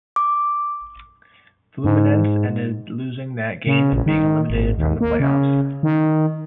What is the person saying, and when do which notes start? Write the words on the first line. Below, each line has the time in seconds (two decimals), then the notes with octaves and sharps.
Fluminense ended losing that game and being eliminated from the playoffs.
0.16 D6
1.84 G#2
3.67 C#3
3.93 A#1
4.06 D#3
4.50 G#1
4.78 D#2
5.01 A#3
5.20 C#3
5.83 D#3